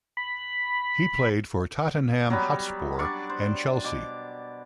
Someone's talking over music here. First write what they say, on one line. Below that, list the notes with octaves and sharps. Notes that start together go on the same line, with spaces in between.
He played for Tottenham Hotspur and Chelsea.
B5
F#3 G3 B3
D4 D5 C#6
C5
B2 D6